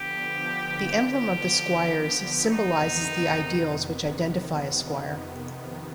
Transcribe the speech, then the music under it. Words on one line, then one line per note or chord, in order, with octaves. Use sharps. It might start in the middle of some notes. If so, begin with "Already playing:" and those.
The emblem of the Squires symbolizes the ideals which identify a squire.
Already playing: D3 F3 B3 G4
G4
F2 C3 D#3 B3 D#4